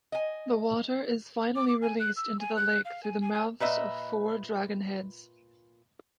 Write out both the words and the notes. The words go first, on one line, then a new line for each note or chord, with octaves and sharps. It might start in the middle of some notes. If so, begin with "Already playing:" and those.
The water is finally released into the lake through the mouths of four dragonheads.
D#5 G#5
D6
D6
G#5
F#6
E6
G#5
F#6
F5
G#5
G#5
G#5
A#2 B4 D#5 E5